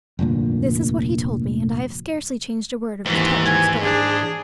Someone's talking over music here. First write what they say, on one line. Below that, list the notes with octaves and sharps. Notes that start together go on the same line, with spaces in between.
This is what he told me, and I have scarcely changed a word of the touching story.
F1 D2 G2 A#2
D#2 G#2 E3
G#5
D4 G#4